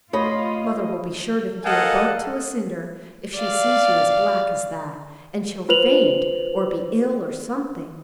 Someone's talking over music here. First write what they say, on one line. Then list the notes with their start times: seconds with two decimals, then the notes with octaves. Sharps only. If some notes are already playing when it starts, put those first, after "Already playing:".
Mother will be sure to think you are burnt to a cinder if she sees you as black as that, and she'll faint or be ill or something.
0.13 A3 F4 C#5 D#5 B5 D#6 A#6
1.64 A4 A#4 D#5 F5 F#5 G#5
3.35 D5 F5
5.69 F4 B4 C5 F7 F#7